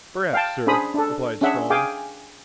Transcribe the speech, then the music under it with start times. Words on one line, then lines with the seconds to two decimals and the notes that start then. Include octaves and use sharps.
"Perhaps, sir," replied Strong.
0.33 F5 G5 A5
0.67 C#4 D4 G#4 C5 B5 D#6
0.94 D4 A4
1.41 C#4 D4 G#4 E5 F#5
1.70 G#4 F5 G5 G#5 D6